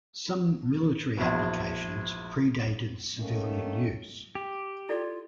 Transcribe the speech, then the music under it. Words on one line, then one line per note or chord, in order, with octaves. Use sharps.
Some military applications pre-dated civilian use.
A#1 E2 B2
D#3 A3 A#3 C#4
G4
E4 F4 A4 D5